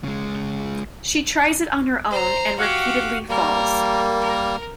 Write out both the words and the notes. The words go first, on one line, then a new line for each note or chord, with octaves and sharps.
She tries it on her own and repeatedly falls.
C#3 G#3
C5 A#5
F#4 G4 F5 F#5
G3 A#3 A#4
A#4